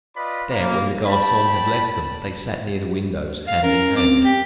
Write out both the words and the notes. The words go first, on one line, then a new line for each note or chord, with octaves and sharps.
There, when the garcon had left them, they sat near the windows, hand in hand.
F4 B4 D5 D#5 B5
A#3
G5 A5 B5
F5
C#4 A#4
C4 D6
G4